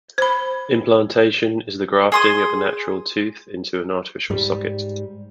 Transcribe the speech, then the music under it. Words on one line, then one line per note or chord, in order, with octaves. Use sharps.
Implantation is the grafting of a natural tooth into an artificial socket.
C5 B5
G#4 C6 D#6
G#2 G3